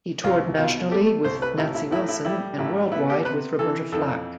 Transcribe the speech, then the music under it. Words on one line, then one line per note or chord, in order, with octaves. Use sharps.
He toured nationally with Nancy Wilson and worldwide with Roberta Flack.
C2 F4
B2 F4
A3 G4
C2 C5
B4
A1 E4
E4
A2 E4
E4
G3 E4
A1 E4
B3 E4
G4
C3 B4
E3 A4
F2 A4